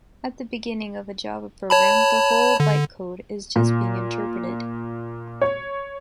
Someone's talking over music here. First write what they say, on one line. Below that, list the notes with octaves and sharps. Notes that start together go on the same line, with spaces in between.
At the beginning of a Java-Program, the whole Bytecode is just being interpreted.
C#5 A5 B5
D3
A#2
C#5